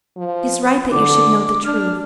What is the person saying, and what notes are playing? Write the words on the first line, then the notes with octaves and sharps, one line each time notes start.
It is right that you should know the truth.
F3
D3 D6
D4 F6